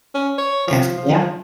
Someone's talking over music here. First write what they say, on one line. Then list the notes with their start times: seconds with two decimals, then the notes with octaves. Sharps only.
That's yeah.
0.15 C#4
0.38 C#5
0.67 F3
0.97 F3